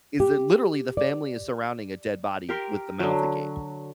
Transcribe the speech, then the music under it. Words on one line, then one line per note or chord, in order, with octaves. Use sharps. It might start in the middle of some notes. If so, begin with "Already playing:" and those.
is that literally the family is surrounding a dead body with the mouth agape.
G4
D5
G4 A#4 C6
D3 F#3